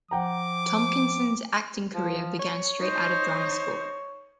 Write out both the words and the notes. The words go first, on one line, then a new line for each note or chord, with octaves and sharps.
Tompkinson's acting career began straight out of drama school.
F3 F#5 G5 A#5 D6
F3
C#5
D#4 C5